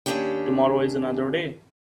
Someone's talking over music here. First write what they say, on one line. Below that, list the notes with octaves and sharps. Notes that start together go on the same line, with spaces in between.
Tomorrow is another day.
D#2 G3 C#4 D4 G4 G5